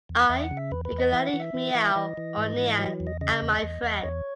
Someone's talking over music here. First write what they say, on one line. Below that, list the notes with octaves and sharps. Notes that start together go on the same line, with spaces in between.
I regularly meow or nyan at my friends.
E2
E2 E5
F#5
C#3
E5
E2 B4
B4
E2
D#5
E3 E5
F#5
E3
E5
E3
E3
E3 D#5
E3
G#2
E3
F#3 D#5
E2
D#5
C#3 D#5
E2
E2
E2
E2 C#5